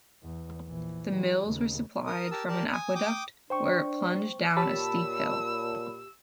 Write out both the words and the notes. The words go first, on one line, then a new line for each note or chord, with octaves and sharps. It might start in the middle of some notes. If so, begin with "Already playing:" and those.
The mills were supplied from an aqueduct, where it plunged down a steep hill.
E2
A#1 E3
E3 G3
D#2 C#3
A#4 D#6
G4 A#4 A5 E6
G4 A#4 D5 A5
G#5 D#6
G5 D6 D#6
D4 C5 G5 C#6
A#2 G4 C#5 A5 B5 E6